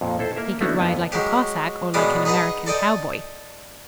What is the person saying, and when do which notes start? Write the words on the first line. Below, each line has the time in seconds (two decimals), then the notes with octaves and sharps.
He could ride like a Cossack or like an American cowboy.
0.01 F2 A#2
0.19 E4 A4 C5
0.36 A#3 A#4 E5
0.61 A3 B3 C#4 D4 E4 F#4
0.80 F2 B3 B4 G5
1.12 F#3 G#3 G4
1.94 F#2 B2 G3 G#3 D6 D#6
2.25 D#4 G#4 B4 F#5 A#5
2.66 A4 D5 D#5 G5